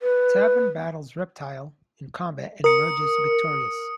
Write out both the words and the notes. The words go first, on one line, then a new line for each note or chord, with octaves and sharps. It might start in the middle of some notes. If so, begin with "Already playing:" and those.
Taven battles Reptile in combat and emerges victorious.
B4
A#4 D#6 C#7